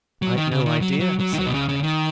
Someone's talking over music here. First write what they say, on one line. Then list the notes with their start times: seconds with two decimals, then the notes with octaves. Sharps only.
"I'd no idea," said I.
0.22 F#3
0.37 D#3
0.51 C#3
0.66 D#3
0.81 F#3
1.00 F#3
1.20 F#3
1.33 D#3
1.39 F#3
1.46 B2
1.54 C#3
1.69 C#3
1.83 D#3